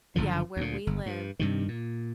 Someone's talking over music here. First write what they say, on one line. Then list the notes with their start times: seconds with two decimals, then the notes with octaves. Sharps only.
Yeah, where we live,
0.16 F#1 C2 D3 F3
0.57 D2 A#2
0.87 G1
1.06 G2
1.39 G2 C3 D#3
1.68 A#2